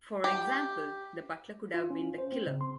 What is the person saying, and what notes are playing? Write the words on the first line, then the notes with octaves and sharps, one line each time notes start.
For example, The butler could have been the killer.
G4
F4
C#4
C5
C4
C#3
C6